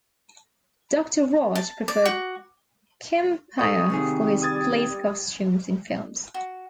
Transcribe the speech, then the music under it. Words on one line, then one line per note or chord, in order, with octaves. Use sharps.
Doctor Raj preferred Kempaiah for his police costumes in films.
A5
D5
F#4
A4 C#6 D#6
C3 D#3 G3 G#4
D#6 G#6 A6
F#4